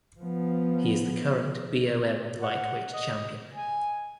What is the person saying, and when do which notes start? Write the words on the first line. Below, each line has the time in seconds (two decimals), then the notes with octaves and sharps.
He is the current BoM Lightweight champion.
0.20 F3 B3
2.41 F#5
2.94 D#5
3.54 G#5